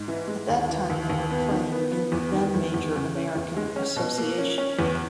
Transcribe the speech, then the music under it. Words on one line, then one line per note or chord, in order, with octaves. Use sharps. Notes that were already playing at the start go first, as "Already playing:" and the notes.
At that time they were playing in the then-major American Association.
Already playing: G#2
E3
G#3
D#2
E3
D#2
D#2
B3
D#3
B3
B3
E2
D#3
E2
E2
C#3
C#4
E2
G#3
C#4
B2
A#3
C#4
C#4
E2